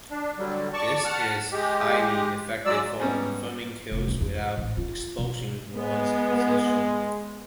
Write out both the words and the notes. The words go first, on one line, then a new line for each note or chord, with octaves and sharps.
This is highly effective for confirming kills without exposing one's position.
D4
D3 F#3 G3
D5 A5 C#6
F#5 A5 F6
G#3 G4
F#3 G#3 D5 E6
G#2 G3 B3 C#4
F1
B1
F2
A1
F4
B2
G#3 B3